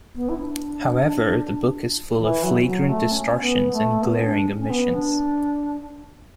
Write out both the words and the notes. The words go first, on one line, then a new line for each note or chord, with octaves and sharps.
However, the book is full of flagrant distortions and glaring omissions.
B3
E4
D4
E3
F#3
F#3
A3
C#4
B3
A3
B3
C#4
D4
C#4
B3
D4